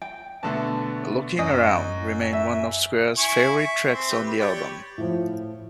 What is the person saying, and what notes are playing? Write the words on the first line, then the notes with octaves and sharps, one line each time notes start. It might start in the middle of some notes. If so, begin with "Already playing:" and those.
"Looking Around" remained one of Squire's favourite tracks on the album.
G5
B2 D3 A3 A4 A5
F#2 D#5
E5
E4 G#5 C#6
E5
C4 C6
G4 B4
B5
G4 C#5 D5
A2 F3